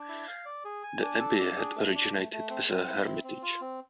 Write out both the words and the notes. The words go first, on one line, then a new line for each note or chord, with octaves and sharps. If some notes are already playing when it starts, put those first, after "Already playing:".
The abbey had originated as a hermitage.
Already playing: D4
E4
F5
D5
G#4
G#5
D4
A4
D4
G#4
A3
D4
A3
A3
C4
C4
E4
C4
C4
F4
C4